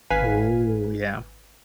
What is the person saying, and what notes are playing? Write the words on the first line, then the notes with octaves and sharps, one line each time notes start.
Ooh, yeah.
G#1 B4 F5 G#5 B6